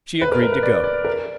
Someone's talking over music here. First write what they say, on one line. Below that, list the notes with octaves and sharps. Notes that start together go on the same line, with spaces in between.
She agreed to go.
B4
A#4
A#4
B4
D5
D5
A#4